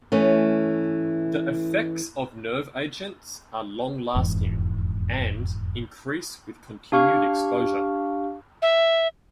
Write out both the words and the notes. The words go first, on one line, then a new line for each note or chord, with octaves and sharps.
The effects of nerve agents are long lasting and increase with continued exposure.
E3 A3 C#4
E1 F2 G#2 E3
D4 G4 F5 C#6 F6
E5